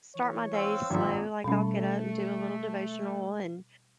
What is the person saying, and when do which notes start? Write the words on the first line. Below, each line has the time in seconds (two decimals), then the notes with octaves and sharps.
start my day slow, like, I'll get up and do a little devotional and,
0.15 E3 C#5
0.53 C4 F5 E6
0.90 G#1 G2 A#2 C4 E5
1.44 B2 G3 A3 C#4